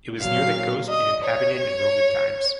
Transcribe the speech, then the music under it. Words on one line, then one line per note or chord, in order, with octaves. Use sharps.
It was near the coast and inhabited in Roman times.
A#2 F#3 F5
D#5
C#5